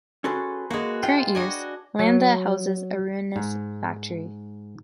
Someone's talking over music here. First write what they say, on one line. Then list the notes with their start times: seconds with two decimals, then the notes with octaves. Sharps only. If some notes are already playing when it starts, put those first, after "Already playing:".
Current Use: Land that houses a ruinous factory.
0.24 C#4 F#4 G#4 A4 B4 C6
0.70 G#3 A#3 F#4
1.03 F4 G5
1.35 D4 F#4 D#5 G#5
1.99 F#3
3.36 G#2